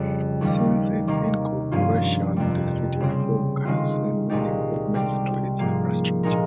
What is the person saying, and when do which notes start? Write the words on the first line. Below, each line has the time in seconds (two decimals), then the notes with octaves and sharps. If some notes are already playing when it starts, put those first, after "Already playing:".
Since its incorporation, the City of Fouke has seen many improvements to its infrastructure.
Already playing: F2 C#3 G3
0.41 D#2 D#3 G3
1.07 C3 D#3 A#3
1.72 G2 F3 A#3 C#4 F4
2.36 F2 C3 G3
3.00 C#3 G3 C4
3.65 D#3 G#3 C4 F4
4.30 C2 A#2 G#3 D#4 G4
4.94 C3 G3 C4 G4
5.59 G#2 F3 A#3
6.23 A#2 G#3 D#4 A#4